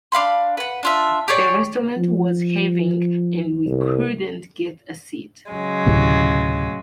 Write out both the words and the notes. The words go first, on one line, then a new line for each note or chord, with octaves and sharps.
The restaurant was heaving and we couldn't get a seat.
D4 F5 B5 C6
B4 F#5
D4 F4 E5
G4 G#4 C#5 D5
F3
C2
C#3 F#3 G#3
D2 A2 C3